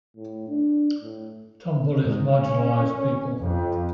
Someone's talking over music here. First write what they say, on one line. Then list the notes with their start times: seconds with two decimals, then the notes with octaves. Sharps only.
Tom bullies marginalized people.
0.17 A2
0.48 D4
1.02 A2
2.00 G#2
2.41 C#4
3.41 F2